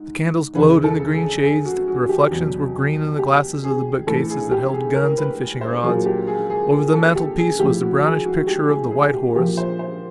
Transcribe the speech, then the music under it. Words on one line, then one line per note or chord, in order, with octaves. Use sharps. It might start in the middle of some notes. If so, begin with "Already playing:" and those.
The candles glowed in the green shades; the reflections were green in the glasses of the book-cases that held guns and fishing-rods. Over the mantelpiece was the brownish picture of the white horse.
Already playing: G#2
E2 C#3 E3 B4
A4
G#4
G#4
F#4
F#4
G4
E2 B2 F#3
G4
G#4
A2 E3 A4
G#4
G4
G#4
A#4
B4
C5
A#2 F#3 G#4
G4
G#4
G#4
G#4
A4
G4
G#4
A2 F3 G4
F#4
G#4
F#4
G4
G#4
G#4
G4
A#2 F3 G4
C5
C5